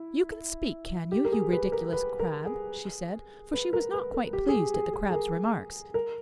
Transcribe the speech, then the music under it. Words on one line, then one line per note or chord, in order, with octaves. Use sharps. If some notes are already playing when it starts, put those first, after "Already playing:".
You can speak, can you, you ridiculous crab?' she said, for she was not quite pleased at the Crab's remarks.
Already playing: E4
G4
A#4
G#4
B4
A#4
B4
A#4
G#4
B4
A#4
B4
A#4
G4
G#4
G4
G#4
G#4
G#4
A#4
A#4